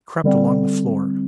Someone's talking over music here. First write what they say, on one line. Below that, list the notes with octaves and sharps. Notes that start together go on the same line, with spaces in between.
I crept along the floor.
D3 G3 C4